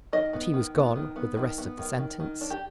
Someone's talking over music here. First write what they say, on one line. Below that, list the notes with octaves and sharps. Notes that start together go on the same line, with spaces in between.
But he was gone with the rest of the sentence.
D#3 D#5
B3
D#3
B3
D#3
B3
D#3
B3
D#3
D#3
D#3
D4
G4